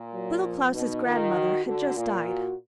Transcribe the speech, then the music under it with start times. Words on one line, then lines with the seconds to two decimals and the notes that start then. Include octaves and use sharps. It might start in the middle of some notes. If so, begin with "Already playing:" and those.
Little Klaus' grandmother had just died.
Already playing: A#2
0.13 F#3
0.44 F3
0.75 B2 D#4
1.05 D#3 F4
1.36 F#4
1.66 D3 F#4
1.97 A#2 F4
2.27 F#4